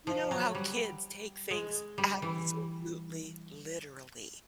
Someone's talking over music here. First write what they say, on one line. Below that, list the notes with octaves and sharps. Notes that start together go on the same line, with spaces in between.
you know how kids take things absolutely literally,
F3
F#3
G3
G#3
G3
E3